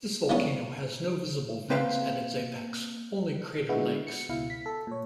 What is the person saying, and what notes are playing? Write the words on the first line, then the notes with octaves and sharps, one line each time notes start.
This volcano has no visible vents at its apex, only crater lakes.
E3 F3 G3 A3 B3 C#4
A#3 C4 B4 E5 F5 G5
D3 G#3 B3 E4 F#4
C#7
C#2 B2 E4 F5
B6
A4
A#2 C#5